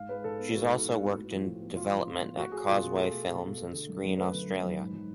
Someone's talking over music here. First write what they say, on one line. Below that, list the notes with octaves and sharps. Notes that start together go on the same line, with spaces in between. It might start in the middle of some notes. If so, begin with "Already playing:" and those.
She has also worked in development at Causeway Films and Screen Australia.
Already playing: G#2 F5
G#3 B4
G#2 A4
B3
G#2 F#4
G#3
G#2
B3
A2
F3
A2
B3
A2 F4
F3
A2
B3
A3 F#4
A3 G#4
B2 F4
B2
G#4
A3 A4
A3
B2
B2
A3
D3
F#2
F#3
A3 B4
D3
F#2
F#3
G#2
F#3